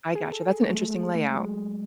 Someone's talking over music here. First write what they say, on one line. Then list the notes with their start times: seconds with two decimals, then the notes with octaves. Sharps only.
I gotcha. That's an interesting layout.
0.15 G#4
0.32 A4
0.49 G#4
0.65 A3
0.78 G#3
0.90 G#3
1.03 G#3
1.15 A3
1.25 G#3
1.34 F#3
1.43 G#3